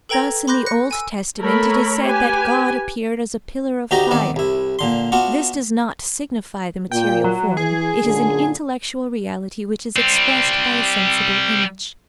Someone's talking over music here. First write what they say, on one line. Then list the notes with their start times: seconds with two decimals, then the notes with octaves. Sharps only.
Thus in the Old Testament it is said that God appeared as a pillar of fire: this does not signify the material form; it is an intellectual reality which is expressed by a sensible image.
0.09 A4 B4 G5 A#5 G#6 A#6
0.47 B5 C6 D6 F#6 G6 A#6
0.66 F#6 A#6 C#7
0.91 G#5 E6
1.39 A3 A4 A#4 C#5 B5
2.04 G4 B4 G#5
3.91 D2 D#4 F#4 G4 D5 A#5
4.11 D#3 B3 C4 D5
4.36 C2 E4
4.79 A#2 D3 C6
5.12 B3 D4 F4 F#4 F#5
6.91 A#2 G5
7.24 F#3
7.57 E3 G#4
8.03 F#2 A#2 D3
9.96 G3 C4